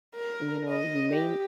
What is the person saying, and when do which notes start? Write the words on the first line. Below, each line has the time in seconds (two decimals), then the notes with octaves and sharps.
And, you know, you may
0.15 A#4
0.69 D#5
1.12 G4